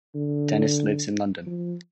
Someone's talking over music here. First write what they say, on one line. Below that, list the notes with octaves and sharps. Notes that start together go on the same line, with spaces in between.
Dennis lives in London.
D3
F3